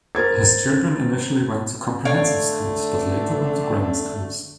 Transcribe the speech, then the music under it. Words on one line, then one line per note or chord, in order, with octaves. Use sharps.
His children initially went to comprehensive schools, but later went to grammar schools.
A#4 C5 G#6 A6
D3 A3 C#5 D5 F5